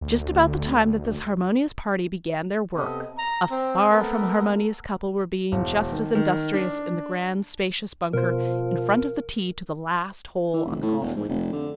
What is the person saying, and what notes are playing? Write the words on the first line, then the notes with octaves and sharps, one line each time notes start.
Just about the time that this harmonious party began their work, a far from harmonious couple were being just as industrious in the grand spacious bunker in front of the tee to the last hole on the golf-links.
D2
C3 B3 A4 D#5
A#5
C4
A3 B3 A4 A#4
E1
D#3
D#3
D4
B2 F3 A#4 C5
E3
F1
A2
E1
G#2
F1
D3